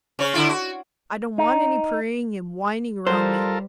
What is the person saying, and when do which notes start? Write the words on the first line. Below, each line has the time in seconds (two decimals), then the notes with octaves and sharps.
I don't want any praying and whining round me.
0.19 C#3 C#5
0.34 D3 E4 F4
0.49 F#4
1.38 D#4
3.07 G3 F4 A4 A#4 C5